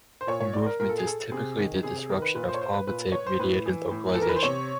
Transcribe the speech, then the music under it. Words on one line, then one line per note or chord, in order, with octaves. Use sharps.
Movement is typically the disruption of palmitate mediated localization.
C5
A#2 C#5
C#5
D5
A#4
A#2 A#4
A4
G#4
A4
C3 G#4
D#3
C3 G#4
G#4
D#3 A#4
B4
A#2 B4
C5
C#5
C5
B4
A#2 B4
C#5
C5
A2 B4
E3
A2
A4
E3 A#4
B4
C5
C3 C#5